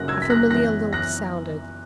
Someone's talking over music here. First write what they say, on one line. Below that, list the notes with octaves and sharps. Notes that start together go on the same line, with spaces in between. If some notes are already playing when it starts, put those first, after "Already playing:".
A familiar lilt sounded.
Already playing: F#2 C#3 F#3 A#3 F#6 A#6
E6 G#6
B6
F#6 A#6
F#2 E3 B3 F#6 A#6
F#6 A#6